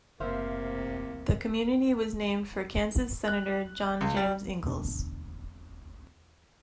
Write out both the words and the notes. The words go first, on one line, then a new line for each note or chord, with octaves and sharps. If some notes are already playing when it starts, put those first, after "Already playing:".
The community was named for Kansas senator John James Ingalls.
F#1 A2 C3 A#3 C5 E5 F5
F#6
C#2
G3
E1 D2 B2 D4